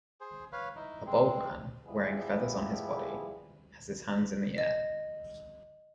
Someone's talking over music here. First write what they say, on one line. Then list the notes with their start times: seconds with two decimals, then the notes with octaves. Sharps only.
A bald man, wearing feathers on his body, has his hands in the air.
0.21 G#4 C5
0.52 B4 C#5 F5
0.76 D#4 E4
1.06 G#3 C4
1.86 F3 G3 G#3 B3 E4 G#4
4.58 D#5